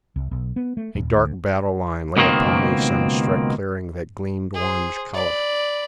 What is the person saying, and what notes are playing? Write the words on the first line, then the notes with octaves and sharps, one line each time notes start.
A dark battle line lay upon a sunstruck clearing that gleamed orange color.
C2
B1
B3
A3
D#1
D2
C#2 B2 D#3 A#3 C4
G#4 C5
D5 B5